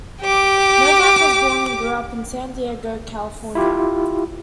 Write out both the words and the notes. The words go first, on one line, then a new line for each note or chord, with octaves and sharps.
Novak was born and grew up in San Diego, California.
G4 D6
E4 F4 G4